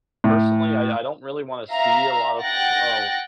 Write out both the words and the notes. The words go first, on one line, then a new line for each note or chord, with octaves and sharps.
personally, I I don't really wanna see a lot of p ul
A2
E5 F5 A#5
F#5 G5 F#6 A6 A#6